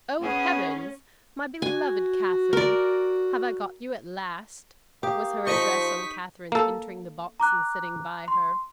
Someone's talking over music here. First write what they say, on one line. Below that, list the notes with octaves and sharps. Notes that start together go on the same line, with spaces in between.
"Oh, heavens! My beloved Catherine, have I got you at last?" was her address on Catherine's entering the box and sitting by her.
B3 C#4 G#4
F#4 G#5
A#4 D5
A#3 G4 D#6
F3 D#4 D#5 C#6 G6 B6 D#7
A#3 A4
A#5 D6 F#6
C6